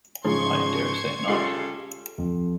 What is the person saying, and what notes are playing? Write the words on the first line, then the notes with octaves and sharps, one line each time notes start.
I dare say not.
G#2 C#3 F3 G#4 C6 C#6 G#6
C#3 F4 G4 A4 C7
F2